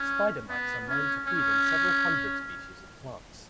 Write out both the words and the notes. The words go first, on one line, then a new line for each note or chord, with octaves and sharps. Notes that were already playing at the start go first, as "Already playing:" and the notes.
Spider mites are known to feed on several hundred species of plants.
Already playing: C#4
B3
C#4
C#4